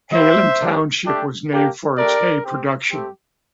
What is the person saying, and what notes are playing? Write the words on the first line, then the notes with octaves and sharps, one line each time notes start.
Hayland Township was named for its hay production.
A#3 E4 G4 C5 E5
A#3 D4 G4
A3 D4 G4
A#3 D4 G4
A3 D4 G4 A#4 D5
C4 G4
A3 C4 G4